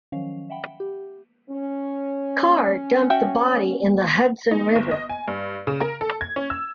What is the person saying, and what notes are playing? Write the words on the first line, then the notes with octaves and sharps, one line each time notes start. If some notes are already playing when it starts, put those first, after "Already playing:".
Carr dumped the body in the Hudson River.
D#3 F3 F#3 C#4 F5
E5 F#5 G5 B5
G4
C#4
F#4 E5 G5
D#4
G1
D#5
G#5
G2
C#3
A#4
A4
G#6
C#4
E6